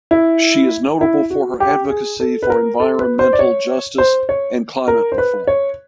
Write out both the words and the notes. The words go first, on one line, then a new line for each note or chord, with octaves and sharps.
She is notable for her advocacy for environmental justice and climate reform.
E4
E4
F#4
G4
G#4
A4
B4
A#4
A4
B4
C5
D5
C#5
C5
C#5
A#4
C5
B4
C#5